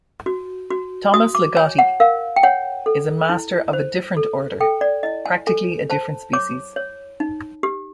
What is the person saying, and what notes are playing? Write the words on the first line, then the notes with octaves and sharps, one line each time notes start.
Thomas Ligotti is a master of a different order, practically a different species.
F#4
F#4
F#4 D#6
D6
C#5 G#5
F#5
A#4 F5
G5
C#5 F#5
A4
E4
C5
A4
A4 G5
D5
E4 D#5
G#5
A4 G#5
C5 A5
C#5 D6
C#5
D#4
G4